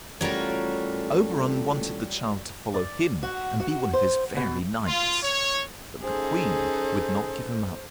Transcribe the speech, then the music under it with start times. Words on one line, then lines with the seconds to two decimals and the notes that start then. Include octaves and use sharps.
Oberon wanted the child to follow him and be one of his fairy knights; but the Queen would not give him up.
0.21 A1 G3 F4 F#4 A4 A#4 C#5
2.74 D5
3.23 F#4
3.60 F#4
3.93 C5
4.37 B2
4.87 F4
5.23 C#5
6.03 C#4 D#4 G#4 A4 C5